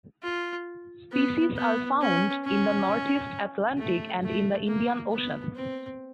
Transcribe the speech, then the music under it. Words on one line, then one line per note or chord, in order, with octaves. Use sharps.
Species are found in the northeast Atlantic and in the Indian Ocean.
F4
B3
B3
C#4
C#4
A3
A3
A#3
B3
C4